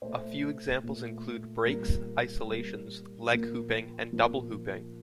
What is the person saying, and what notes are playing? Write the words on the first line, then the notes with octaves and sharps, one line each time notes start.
A few examples include breaks, isolations, leg hooping, and double hooping.
A#2 A3 C5
A#2 A3
A#2 G3 A#3 A#4
A#2 G3 A#3
A#2 F3 A#3
A#2 F3 A#3